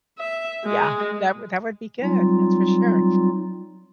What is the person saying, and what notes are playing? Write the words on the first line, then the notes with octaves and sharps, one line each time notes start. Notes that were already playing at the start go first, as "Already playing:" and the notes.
Yeah. That would that would be good. That's for sure.
E5
G#3
F#3 G3 C4 D#4 F4